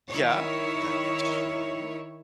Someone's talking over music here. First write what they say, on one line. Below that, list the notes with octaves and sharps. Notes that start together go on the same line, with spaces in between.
Yeah, that too.
D#3 E4 C#5